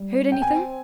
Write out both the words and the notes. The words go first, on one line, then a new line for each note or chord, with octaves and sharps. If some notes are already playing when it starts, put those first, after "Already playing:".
Heard anything?'
Already playing: G3
G5
C4 G#5